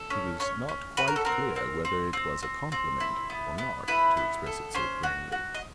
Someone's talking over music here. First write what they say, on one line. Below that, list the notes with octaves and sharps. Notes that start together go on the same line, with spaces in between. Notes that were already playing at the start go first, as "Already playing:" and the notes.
He was not quite clear whether it was a compliment or not, to express it so plainly.
Already playing: A4
C#4
C#4 C#5
C#4
F#4 B4
A#4
A4
C4 A#4
C4
C4
C4
C4
C4
E4
B3
B3
E4 B4
B3
A4
C#4 C5
F#4
F#4
D#5